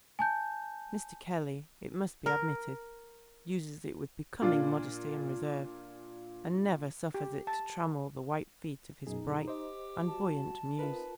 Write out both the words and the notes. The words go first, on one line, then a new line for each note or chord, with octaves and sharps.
Mr. Kelly, it must be admitted, uses it with becoming modesty and reserve and never suffers it to trammel the white feet of his bright and buoyant muse.
G#5 A5 G6
A#4
A#2 D4 F4
G4
A5
F#2 B2 D#4 G#4
G4 C5 D#5
G3 F#4 A5
C4 D#4 F4 A#4 B4